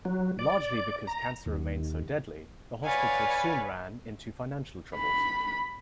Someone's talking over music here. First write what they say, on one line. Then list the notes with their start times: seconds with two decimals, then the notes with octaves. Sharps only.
Largely because cancer remained so deadly, the hospital soon ran into financial troubles.
0.05 F#3
0.39 D5
1.07 A#5
1.46 D#2
2.83 B4 C#5 D5 F5 F#5 G#5
4.96 B5